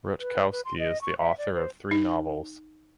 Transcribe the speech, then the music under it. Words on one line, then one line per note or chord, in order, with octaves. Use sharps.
Rutkowski is the author of three novels.
B4
B4
C6
D#5
C#6
E5
D5
C5
D#4